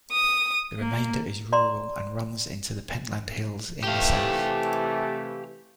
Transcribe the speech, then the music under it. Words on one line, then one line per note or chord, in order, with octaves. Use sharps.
The remainder is rural, and runs into the Pentland Hills in the south.
D#6
A#3
D5 A#5 C6
C3 E3 A3 G4 F5